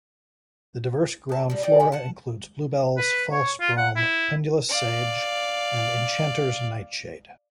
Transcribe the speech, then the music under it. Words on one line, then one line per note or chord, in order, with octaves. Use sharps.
The diverse ground flora includes bluebells, false brome, pendulous sedge and enchanter's nightshade.
A3 A5
D#3 G3
D#4 D5 G5
C3 G3 G#3 A4
F#5 A5
B4
C#5
F4
F#5
E4
D5 F5